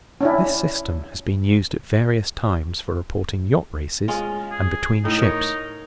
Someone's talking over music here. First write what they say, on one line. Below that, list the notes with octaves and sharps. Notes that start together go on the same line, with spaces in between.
This system has been used at various times for reporting yacht-races, and between ships.
C#4 D4 E4
G#3 C#4 F4
G#4
A2 D#4
A#4 C#5